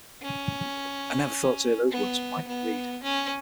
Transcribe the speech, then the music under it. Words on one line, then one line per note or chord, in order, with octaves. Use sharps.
I never thought to hear those words from Michael Reid.
C#4
B3
B3
C#4